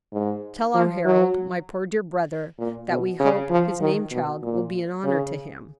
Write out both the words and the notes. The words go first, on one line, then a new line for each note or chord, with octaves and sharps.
"Tell our Harold--my poor dear brother--that we hope his name-child will be an honor to him."
G#2
F3
F#3
A#2
B2
C#3
F3
D#3
B2
A#2
C#3